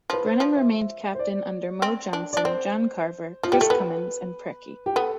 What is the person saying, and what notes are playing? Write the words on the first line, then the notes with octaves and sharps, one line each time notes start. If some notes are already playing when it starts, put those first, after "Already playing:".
Brennan remained captain under Mo Johnston, John Carver, Chris Cummins and Preki.
F3 B4
C5
F3
E5
C5
D5
C4
D4
D4 D5
C4 C5
F3 F4
G3 G4
A3 A4
B3 B4
G4
B3 A4